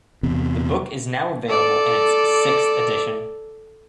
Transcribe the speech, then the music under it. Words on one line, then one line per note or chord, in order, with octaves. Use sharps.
The book is now available in its sixth edition.
E2 C3
A4 D5